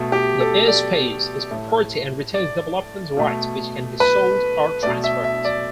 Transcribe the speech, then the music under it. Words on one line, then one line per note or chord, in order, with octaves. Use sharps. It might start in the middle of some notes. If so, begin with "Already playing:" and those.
The Airspace is property and retains Developmental rights which can be sold or transferred.
Already playing: B2 A3
G4
A4
D5
A2 A3
D5
B2 A3
B4
B2 A3 D5
E5
E5
D5